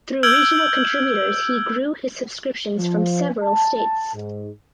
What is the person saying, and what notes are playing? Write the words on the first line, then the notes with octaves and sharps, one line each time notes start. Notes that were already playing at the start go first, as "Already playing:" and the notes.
Through regional contributors he grew his subscriptions from several states.
E6 F6 G6 G#6 D7 F#7
F3
A5
G#2